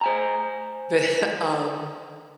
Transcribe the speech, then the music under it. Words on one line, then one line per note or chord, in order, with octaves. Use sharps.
But, um
C5 G#5 A#5